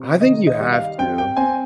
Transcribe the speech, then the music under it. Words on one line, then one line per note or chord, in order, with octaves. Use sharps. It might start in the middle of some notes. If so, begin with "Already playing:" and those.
I think you have to,
Already playing: C3
D#3 D#5
D#5
G3
F5
C4 G5
G5
C4 G#5